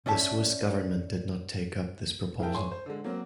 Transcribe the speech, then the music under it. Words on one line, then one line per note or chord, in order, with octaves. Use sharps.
The Swiss government did not take up this proposal.
C#4 D5 E5 A5
E4 G#4 A#4 E5 G5 A5
C#5 G#5 C6
C5
D3 G#3
F#3 A#3 C4